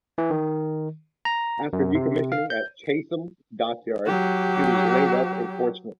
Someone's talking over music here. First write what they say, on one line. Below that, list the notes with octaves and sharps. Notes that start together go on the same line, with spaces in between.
After decommissioning at Chatham Dockyard, she was laid up in Portsmouth.
E3
D#3
A#5
F#2
C3
F5
G6
F#3 G4